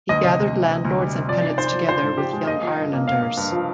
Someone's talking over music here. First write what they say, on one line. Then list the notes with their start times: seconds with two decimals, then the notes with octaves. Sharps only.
He gathered landlords and tenants together with Young Irelanders.
0.09 D2 D#5
0.24 C3
0.40 D2
0.54 D2
0.69 C3
0.85 D2
0.99 G3
1.14 C3
1.28 F3 D5
1.44 D#4
1.58 D#4 C5
1.74 F3
1.88 F3 C5
2.03 G#2
2.18 F3 G4
2.33 G#3
2.47 A#3 D#5
2.63 F3
2.77 G2
2.93 A#3
3.08 A#3 F5
3.22 A#3
3.37 G2
3.52 F3